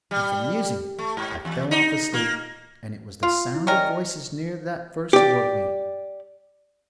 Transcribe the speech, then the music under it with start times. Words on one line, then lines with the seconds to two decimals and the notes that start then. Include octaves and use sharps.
And from musing I fell off asleep; and it was the sound of voices near that first awoke me!
0.11 G3
0.99 A3
1.17 G#2
1.45 E2
1.71 D#4
2.14 A#3
3.23 F4
3.54 E4
3.67 C#4 A#4 D5 D#5 G5
5.13 G4 D5